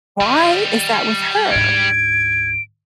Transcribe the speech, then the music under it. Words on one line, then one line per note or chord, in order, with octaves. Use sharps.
"Why is that with her?"
D#3 G3 D#5
D2 G#2 G#6 D7